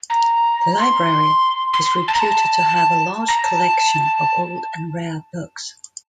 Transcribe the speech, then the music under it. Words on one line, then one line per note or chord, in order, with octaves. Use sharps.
The library is reputed to have a large collection of old and rare books.
A#5
C6
C6
C6
A5
A#5
A5
A#5
A5